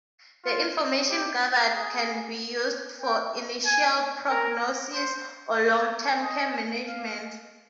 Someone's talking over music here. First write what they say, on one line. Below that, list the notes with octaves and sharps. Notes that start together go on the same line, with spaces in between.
The information gathered can be used for initial prognosis or long-term care management.
F4
G4
G#4
G5
G#5
A#4
C5
D#5
F5